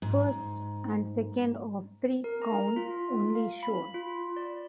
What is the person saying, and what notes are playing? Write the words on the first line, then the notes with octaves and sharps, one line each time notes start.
First and second of three counts only shown.
G#2
A#4
A#5
F4
F5
B5
F4
D5